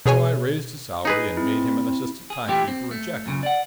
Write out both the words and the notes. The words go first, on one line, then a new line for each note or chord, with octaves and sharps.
So I raised his salary, and made him an assistant timekeeper and checker.
B2 G#4 C#5 G#5
D#4 G#4 B4
C4 E4
G#4
A#2 E3 A3 E4 G4
C4
A3
F#2 A#2 C#3
D5 F#5